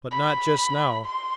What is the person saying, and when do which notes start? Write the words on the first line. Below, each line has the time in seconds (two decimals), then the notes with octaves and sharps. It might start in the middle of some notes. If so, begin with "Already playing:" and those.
But not just now.
0.11 B5
1.06 C6